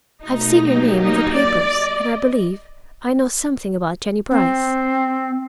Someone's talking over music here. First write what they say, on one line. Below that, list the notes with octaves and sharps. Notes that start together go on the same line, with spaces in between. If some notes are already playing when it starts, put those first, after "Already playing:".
"I've seen your name in the papers, and I believe I know something about Jennie Brice."
B2 A3 D#4 A#6
F#3 A#3 G4
A#3 D#4 D#5
D5
C4